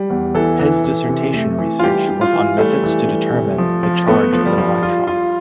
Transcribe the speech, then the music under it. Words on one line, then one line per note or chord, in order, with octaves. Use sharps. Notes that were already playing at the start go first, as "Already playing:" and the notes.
His dissertation research was on methods to determine the charge of an electron.
Already playing: G3
E2
E3 A4
E3
E3
C3
A3
E3
F4
G3 G4
G3
F4
E3
G3 A3
E3
G3
C3
F3
F3
A3 B3
F3
G3
F3
F4
F4